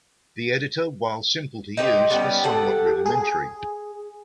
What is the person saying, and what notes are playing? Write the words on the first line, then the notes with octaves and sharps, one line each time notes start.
The editor, while simple to use, was somewhat rudimentary.
D#4 G4 B4 C5
G3 B3 C#4 G4
G4 A4 F#5
G#4